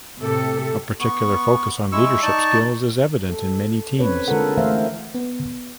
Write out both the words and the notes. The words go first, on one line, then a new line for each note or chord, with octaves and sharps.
A particular focus on leadership skills is evident in many teams.
A2 C3 G4 A4
B3 C#6
G#3 E4 C#6 E6
D#4 D5 A5 C#6
A4
C4 C#4 B4 C#5
D3 G#3 F4 A4 A#4 F#5
D3 E3 A3 C5 E5 F5
B3